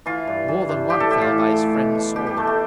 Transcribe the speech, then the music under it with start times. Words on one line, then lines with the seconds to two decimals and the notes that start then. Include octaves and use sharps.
More than one fell by his friend's sword.
0.06 E3 F4
0.27 G2
0.48 E3
0.69 G2
0.90 E3 G4
1.00 A4
1.11 A2 G4
1.21 F4
1.32 E3
1.53 A2
1.75 B2
1.95 B2
2.16 B2 G4
2.26 G4
2.37 B2 A3
2.47 A3